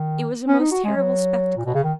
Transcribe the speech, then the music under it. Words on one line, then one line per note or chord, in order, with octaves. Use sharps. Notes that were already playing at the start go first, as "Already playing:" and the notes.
It was a most terrible spectacle.
Already playing: D#3
C#4
D#4
F#4
G#3
F#3
A#2
B2
C#3
D#3